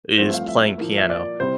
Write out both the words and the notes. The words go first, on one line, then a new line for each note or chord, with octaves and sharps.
is playing piano.
A1 G2 F3 A3 C4 C5
E5
F5
E5
A#2 F3 A#3
E5
D5
C3 G3 C4 E4 C5